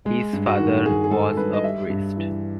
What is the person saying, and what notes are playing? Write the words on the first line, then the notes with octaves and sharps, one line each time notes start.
His father was a priest.
G#3
G2
F#4
D#3
G2 G#4
G#4
G#3 A4
G2 B4
D#5
G3 E5
G2
E3